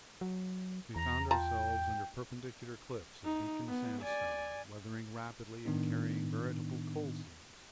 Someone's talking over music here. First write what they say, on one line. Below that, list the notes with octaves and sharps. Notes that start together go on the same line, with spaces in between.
We found ourselves under perpendicular cliffs of Beacon sandstone, weathering rapidly and carrying veritable coal seams.
F#3
E2 A#5
F4 G5 A5 A#5
D#4
B3
D5 G#5
A2 D#3 B3 D4 D#4